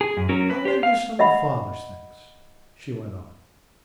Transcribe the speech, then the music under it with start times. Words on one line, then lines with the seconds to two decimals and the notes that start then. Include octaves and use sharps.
"I'll lend you some of Father's things," she went on.
0.01 G#4
0.17 F#2
0.29 F#3 C#4 A#4
0.50 B4
0.65 G4 C5
0.83 F5
1.19 D#5 E5 F#5 B5